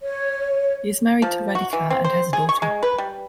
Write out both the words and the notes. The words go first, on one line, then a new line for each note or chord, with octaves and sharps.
He is married to Radhika and has a daughter.
C#5
F3
F#4
E3
C4
C5
G#4
C#6
G#3
B4
G3